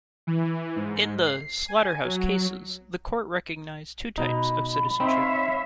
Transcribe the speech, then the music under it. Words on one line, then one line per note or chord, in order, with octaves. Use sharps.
In the "Slaughter-House Cases" the court recognized two types of citizenship.
E3
G#2
C7
G#5
F#3
B2 D#4 B5
C4 D#4 C#5 E5 F5